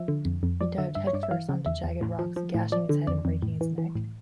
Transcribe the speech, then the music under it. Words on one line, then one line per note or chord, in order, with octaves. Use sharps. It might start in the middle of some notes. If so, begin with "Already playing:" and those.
He dived head first onto jagged rocks, gashing his head and breaking his neck.
Already playing: F3 E5
D3
F2
F2
F3 D5
D3 E5
G2 E5
C#5
G2 D5
E5
E3 F5
C#3
E2 E5
E2
A2
F3
F3
A2
F3 D5
D3
F2 D5
F2
A2
E3
E3
A2